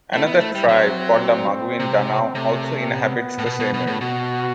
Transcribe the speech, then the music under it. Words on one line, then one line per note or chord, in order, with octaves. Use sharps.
Another tribe called the Maguindanao also inhabits the same area.
A3 E4
B3
A3
G3
F#3 C4
C3
C3 A3
B3
A2
B2
B2
B2
A2
B2 F#4